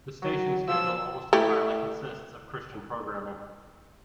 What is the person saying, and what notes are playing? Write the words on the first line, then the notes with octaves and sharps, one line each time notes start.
The station's schedule almost entirely consists of Christian programming.
F#3
F3 E6
A3 E4 G4